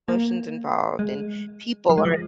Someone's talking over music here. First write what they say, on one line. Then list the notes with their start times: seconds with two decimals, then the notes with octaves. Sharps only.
promotions involved, and people are
0.08 A#3
0.99 G#3
1.89 F3
1.98 G#3
2.05 F3